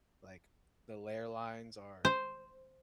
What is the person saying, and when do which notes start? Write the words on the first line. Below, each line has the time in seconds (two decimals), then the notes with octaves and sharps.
like, the layer lines are
2.05 C5